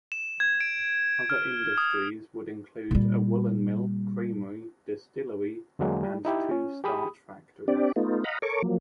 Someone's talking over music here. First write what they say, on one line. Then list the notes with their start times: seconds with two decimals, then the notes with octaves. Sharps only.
Other industries would include a woolen mill, creamery, distillery and two starch factories.
0.12 E7
0.40 G#6
0.61 D7
1.30 F6
1.78 D#6
2.91 A#2 G3
5.79 E2 D3 F#3 G#3 A#3
6.03 G3
6.25 D#4 E4 G4
6.51 C#4
6.84 G4 G#4 B5 D#6
7.68 C4 D4 G4 D5
7.96 A3 B3 D#4 F4
8.24 D#5 F5 F#5 A#5 B5
8.42 A4 A#4 C#5 C#6 D6
8.62 F3 F#3 A#3